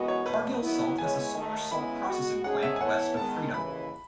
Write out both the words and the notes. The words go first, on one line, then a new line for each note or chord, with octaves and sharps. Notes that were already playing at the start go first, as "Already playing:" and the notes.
Cargill Salt has a solar salt processing plant west of Freedom.
Already playing: F#2 E3 G#3 B3 F#4 D#5
C#5
E2 B2 A3 B4
D#2 D#3 F#3 B3 E4
G#3 B3 E4 G#4 C#5 G#5
D#2 D#3 A3
C#3 G#3 B3 E4 B5
B2 G#3 B3 F#4
G#2 D#3 A3 C#4 G#4 F#5
E5
G#5
E3 B3 E4 A4 C#5 F#5
D#3 G#3 B3 A5
D#2 C#3 E3 B5